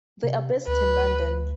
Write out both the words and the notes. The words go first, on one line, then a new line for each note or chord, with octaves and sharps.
They are based in London.
C3
D2 B4